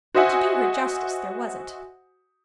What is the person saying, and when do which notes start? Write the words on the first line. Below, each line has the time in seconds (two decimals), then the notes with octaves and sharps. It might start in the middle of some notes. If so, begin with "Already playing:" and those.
And, to do her justice, there wasn't.
0.15 F#4 C5 D#5 E5 F#5 G#5